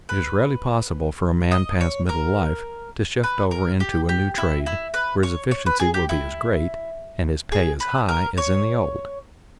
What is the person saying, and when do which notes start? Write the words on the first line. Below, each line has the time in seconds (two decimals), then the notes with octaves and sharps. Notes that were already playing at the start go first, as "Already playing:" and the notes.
It is rarely possible for a man past middle life to shift over into a new trade where his efficiency will be as great and his pay as high as in the old.
0.09 B4
1.51 D#5
1.81 C#5
2.09 A#4
3.24 B4
3.51 A#4
3.80 G4
4.09 G4
4.38 E4
4.66 E4
4.94 B4
5.23 C#5
5.51 C#5
5.66 B4
5.80 G#4
5.94 G4
6.09 E4
7.52 G#4
7.80 B4
8.09 A#4
8.38 C#5